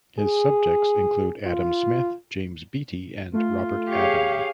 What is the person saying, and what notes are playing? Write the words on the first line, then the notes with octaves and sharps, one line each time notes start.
His subjects include Adam Smith, James Beattie and Robert Adam.
G#4
F4
A3 F4
G4 G#4 C#5 F5